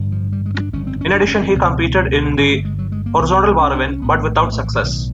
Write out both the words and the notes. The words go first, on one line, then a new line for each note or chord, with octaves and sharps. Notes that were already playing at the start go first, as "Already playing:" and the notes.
In addition, he competed in the horizontal bar event, but without success.
Already playing: A1 G2 D3
F3
G3
G#3
C#4
D4
G1 F2 C#3 C#4
C4
C#4
D4
C#4
C4
C#2 B2
G1 G2 D3 C#4
A3
G#3
F#3
G#3
A#3
C2 C3 B3
C#4
D4
C#4
A#1 A2 B3
A3
A#3
A3
E3
D#3
B1 A2 D#3